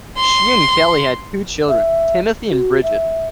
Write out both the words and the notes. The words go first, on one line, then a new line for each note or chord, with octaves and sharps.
She and Kelly had two children, Timothy and Bridget.
C6
E5
F#4
E5